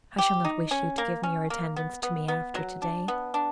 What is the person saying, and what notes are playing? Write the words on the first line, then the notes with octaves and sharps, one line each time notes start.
I shall not wish you to give your attendance to me after to-day.
G4
D#4
C#4
A#3
C#4
A#3
B3
B3
B3
F#3
D4
B3
D4